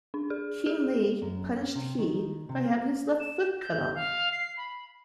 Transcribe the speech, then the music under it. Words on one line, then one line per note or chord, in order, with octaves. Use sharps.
King Li punished He by having his left foot cut off.
D4
G#4
G#4
F#2
C#4
C3
D#3
C3
A#3
E7
G6
F5
C7
B5